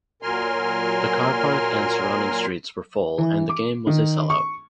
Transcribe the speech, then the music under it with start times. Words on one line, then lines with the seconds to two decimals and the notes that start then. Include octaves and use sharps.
The car park and surrounding streets were full and the game was a sell-out.
0.22 A#2 F#3 A#4 G#5 C6 F6
3.18 E3
3.49 D6
3.87 D#3
4.30 C#6